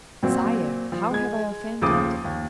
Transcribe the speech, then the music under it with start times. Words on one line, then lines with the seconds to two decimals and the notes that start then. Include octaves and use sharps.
"Sire, how have I offended?"
0.23 A#2 F#3 C4
0.92 F3
1.11 G#3 G#6
1.82 D#2 C#3 F3 A3 D6 D#6
2.24 D#2